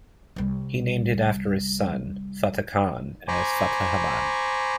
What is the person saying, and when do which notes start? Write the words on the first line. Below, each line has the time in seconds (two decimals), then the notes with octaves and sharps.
He named it after his son Fateh Khan, as Fatehabad.
0.36 C2 G3
3.28 C5 G#5 A#5 B5 C#6 D6